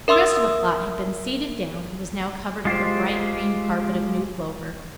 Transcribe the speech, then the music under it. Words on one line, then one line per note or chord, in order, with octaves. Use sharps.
The rest of the plot had been seeded down, and was now covered with a bright green carpet of new clover.
A#4 E5 C6 D#6 E6
G#3 F4 G4 C5